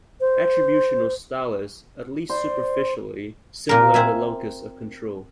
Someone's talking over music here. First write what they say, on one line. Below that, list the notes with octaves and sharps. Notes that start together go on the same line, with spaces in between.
Attributional style is, at least superficially, similar to locus of control.
C5
C5 D5
A#2 A#4
C4 E5 G#5